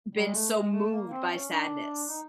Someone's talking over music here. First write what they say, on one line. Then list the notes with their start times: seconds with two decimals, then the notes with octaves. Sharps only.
been so moved by sadness.
0.15 G3
0.24 G#3
0.32 A3
0.51 G#3
0.71 A3
0.91 A#3
1.10 C4
1.29 C#4
1.49 D4
2.08 D#4